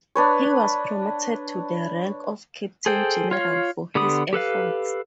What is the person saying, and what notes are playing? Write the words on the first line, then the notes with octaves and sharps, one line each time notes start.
He was promoted to the rank of captain general for his efforts.
D4 B4 C#5
G#4 A4 C5 G5
F4 C#5 F5
D3 B3 G4 B5 D#6
G4 A4 B4 F5